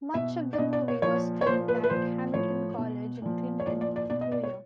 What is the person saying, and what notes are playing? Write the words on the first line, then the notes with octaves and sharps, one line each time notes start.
Much of the movie was filmed at Hamilton College in Clinton, New York.
B2 E5
D5
B2 D#5
D5
C#5
A#2 F3 C#5
C#5
A#2 F3 C5
B4
B4
A#2 F3 C5
A2 F3 C#5
B2
A#2 F3
C#5
A#2 F3 D5
D5
D5
B2 D5
D#5
D5
C#5